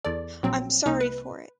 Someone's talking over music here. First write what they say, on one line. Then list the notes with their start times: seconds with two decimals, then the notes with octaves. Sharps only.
I’m sorry for it.
0.05 E2 A4 D5
0.43 A#1 F#3 C4
0.86 C2 A#3 D#4 D#5
1.00 B4